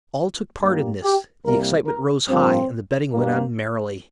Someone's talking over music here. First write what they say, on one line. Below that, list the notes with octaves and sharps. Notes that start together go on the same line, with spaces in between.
All took part in this; the excitement rose high and the betting went on merrily.
G2 G3 A#3
G4
C2 C3 G3 A#3 A#4
A#4
G2 F3 A#3 C4
G2 G3 A#3